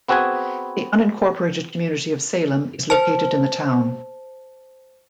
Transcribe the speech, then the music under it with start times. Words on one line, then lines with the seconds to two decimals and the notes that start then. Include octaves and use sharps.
The unincorporated community of Salem is located in the town.
0.08 B3 C4 F#4 G#4 B4 G#5
2.90 C5 A5